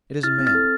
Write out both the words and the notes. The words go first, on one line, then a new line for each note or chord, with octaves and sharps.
It is a man.
E4 F6 A6
C4
F6 A6
A4